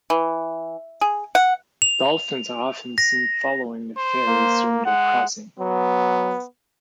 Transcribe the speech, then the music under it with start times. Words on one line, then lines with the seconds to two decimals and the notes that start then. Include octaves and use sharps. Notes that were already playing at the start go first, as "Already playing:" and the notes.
Dolphins are often seen following the ferries during their crossing.
0.10 E3
1.01 G#4
1.35 F#5
1.82 F7
2.98 A#6
3.98 C5
4.27 A#3
4.85 G#3 F#5
5.59 F#3 B3